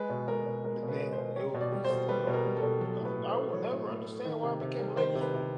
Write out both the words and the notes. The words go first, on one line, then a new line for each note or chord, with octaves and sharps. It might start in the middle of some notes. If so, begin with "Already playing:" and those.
but then it was just, I don't I I will never understand why I became a Lakers fan.
Already playing: G#3 B4
B2
G#3 A#4
B2
G#3 A#4
B2
B4
G#3
C5
B2
G3 C#5
B2
D5
G3
C5
B2
G3 B4
B2
A#4
G3
A4
B2
F#3 A4
A2
B4
A2
C5
A3
F#3 C#5
A2
A2
A3
D#3
C3
C3
G3
D#3 C5
C3
B4
C3